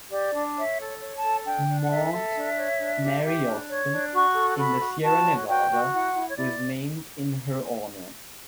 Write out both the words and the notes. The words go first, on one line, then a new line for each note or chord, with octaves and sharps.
Mount Mary Austin, in the Sierra Nevada, was named in her honor.
G4 D5
D4
C#5 E5
A4
C#5
A5
A4
D4 G5
D4
F#5
A4 E5
A4
D4
C#5
D4
G4
G4
D4
C#5
D4
F#4 C#6
A4
F#4 B5
F#4
F#4 A5
C#5
F#4 G5
F#4
E4 F#5
E4
C#5
E4 D5